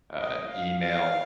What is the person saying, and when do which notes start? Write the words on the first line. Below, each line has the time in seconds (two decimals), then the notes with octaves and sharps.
uh, email,
0.19 D#5
0.50 F5
0.81 F5